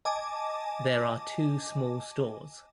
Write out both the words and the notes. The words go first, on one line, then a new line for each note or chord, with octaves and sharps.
There are two small stores.
D#5 G#5 A5 D6